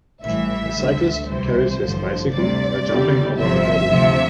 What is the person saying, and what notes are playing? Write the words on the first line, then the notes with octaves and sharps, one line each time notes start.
A cyclist carries his bicycle while jumping over a hurdle.
A1 A2 E3 G3 E5
D2 D3 G3
C2 C3 E3 G3 C5
A1 G2 D3 F3
D2 C3 G3 D5
E2 D3 G3
G1 F2 C3 F3 E5
D2 C3 F3